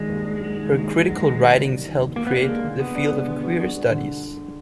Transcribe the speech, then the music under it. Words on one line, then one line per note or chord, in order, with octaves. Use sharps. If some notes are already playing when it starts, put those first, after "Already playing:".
Her critical writings helped create the field of queer studies.
Already playing: D#3 F#3 G#3 D4
D#2
D4
F#3
D#3
D#2
D4
F#3
D#3
D#2
D4
F#3
D#3
D#2
A#3 F#4
B3
A#3 D4
G#3
D3
B3 F#4
D4
G#3
D3
F#4
D4
G#3
D3